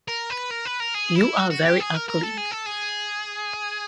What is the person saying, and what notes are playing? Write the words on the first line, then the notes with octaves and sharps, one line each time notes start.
You are very ugly!
A#4
B4
A#4
B4
A#4
G#4
E4
F#4
F#4
G4
G#4
A#4
A#4
A4
G#4
A4
G#4